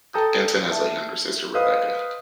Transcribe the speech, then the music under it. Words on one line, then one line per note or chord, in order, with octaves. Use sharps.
Denton has a younger sister, Rebecca.
A4 G5 A5 A#5 D#6 G6
E5 A5
B4 C5 D#5 F5 D#6